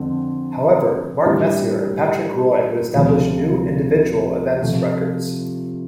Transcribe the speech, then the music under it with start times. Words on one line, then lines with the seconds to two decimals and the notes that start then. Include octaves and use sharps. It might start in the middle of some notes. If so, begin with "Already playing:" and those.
However, Mark Messier and Patrick Roy would establish new individual events records.
Already playing: F2 D3 A3 C4
1.26 A2 E3 G3 D4
2.94 D2 C3 F3
4.62 C3 F3 A3